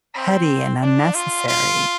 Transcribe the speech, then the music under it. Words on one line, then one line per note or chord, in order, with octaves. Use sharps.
petty and unnecessary.
C4
D4
F4
F4